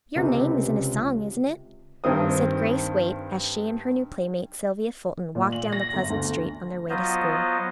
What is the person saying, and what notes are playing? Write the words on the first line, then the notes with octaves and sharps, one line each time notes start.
"Your name is in a song, isn't it?" said Grace Waite, as she and her new playmate, Sylvia Fulton, walked down the pleasant street on their way to school.
C#2 C3
G2 D#3 C4 D#6
A#2
F#7
A#6
G1
D2
F#3 B3 F4 C5 D#5